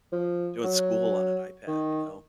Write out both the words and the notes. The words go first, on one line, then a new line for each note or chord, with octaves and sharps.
doing school on an iPad, you know,
F3
F#3
D#3